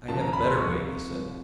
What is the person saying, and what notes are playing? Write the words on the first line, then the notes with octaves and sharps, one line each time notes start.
"I have a better way," he said.
D#2 C#3 F3 A#3 A5
A#5
B5
C6
C2 C3 F3 C#6
C2 C3 F3